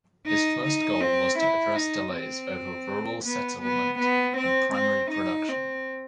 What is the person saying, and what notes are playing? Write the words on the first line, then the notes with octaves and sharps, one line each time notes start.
His first goal was to address delays over rural settlement and primary production.
D#4
D#4
C4
E4
D#4
C4
B3
B3
B3
C4
C4
D#4
C4